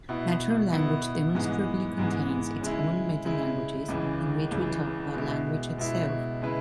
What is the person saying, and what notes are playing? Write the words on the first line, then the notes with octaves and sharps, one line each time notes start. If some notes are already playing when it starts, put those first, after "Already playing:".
Natural language demonstrably contains its own metalanguages, in which we talk about language itself.
B2 B3 E4
B2 B3 E4
G#2 E3 G#3 B3
G#2 E3 G#3 B3
C#3 G#3 E4
C#3 G#3 E4
C#2 C#3 E3
C#2 C#3 E3
B2 G#3 E4
B2 G#3 E4
C#3 G#3 E4 B4